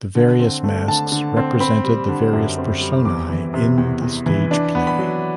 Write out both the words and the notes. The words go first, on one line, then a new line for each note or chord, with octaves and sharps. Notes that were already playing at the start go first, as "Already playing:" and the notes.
The various masks represented the various "personae" in the stage play.
D3
C4
A3
D3 A5
D3
C4
C4 B5
G3
D3
F#2
C4
G3
E2 D6
E3
C3
E2
E2
E3
D4
B3
B5
F#3